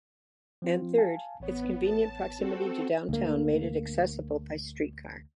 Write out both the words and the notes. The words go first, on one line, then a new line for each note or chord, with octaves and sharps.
And third, its convenient proximity to downtown made it accessible by streetcar.
F3 C4 F4
F5 G#5 A5
A1 B3 C#5
A5
C4 F#4 A4
D2 A#3